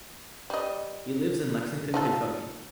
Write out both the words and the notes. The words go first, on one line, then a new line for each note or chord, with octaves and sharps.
He lives in Lexington, Kentucky.
G3 D#5
D#4 F4 A4